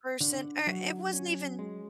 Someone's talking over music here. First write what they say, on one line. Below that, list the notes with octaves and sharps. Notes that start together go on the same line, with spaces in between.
person, or it wasn't even
D3
F#3
C#4
G#3